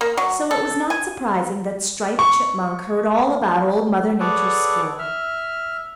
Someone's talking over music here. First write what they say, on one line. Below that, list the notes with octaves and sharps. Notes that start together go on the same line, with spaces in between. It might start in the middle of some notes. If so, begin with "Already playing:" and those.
So it was not surprising that Striped Chipmunk heard all about Old Mother Nature's school.
A#3
F#3
A4
G#5
C#6
G#4 A4 B4 C#5 D5 F#5
E5 F6